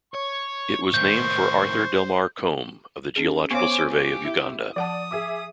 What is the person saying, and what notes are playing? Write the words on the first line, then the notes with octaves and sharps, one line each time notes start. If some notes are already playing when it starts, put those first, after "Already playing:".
It was named for Arthur Delmar Combe of the Geological Survey of Uganda.
C#5 C#6
A2 D#3 C5 G6
C#4 G#4
B3 C5 C#5 F5 G#5 C#6 D6
G4
E4
F3 D5 F#5 A5 D#6
G#4 E5 D6